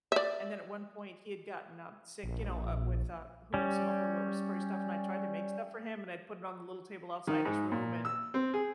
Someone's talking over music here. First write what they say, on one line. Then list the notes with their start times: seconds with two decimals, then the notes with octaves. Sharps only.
and then at one point he had gotten, um, sick, you know, uh, with, uh, who knows, some upper lower respiratory stuff, and I tried to make stuff for him, and I'd put it on the little table outside his room and
0.12 D5 E5
2.24 A#1
3.54 G3 C#4
7.27 D#3
7.45 G#2
7.72 A#2
8.05 E6
8.34 C4
8.54 G#4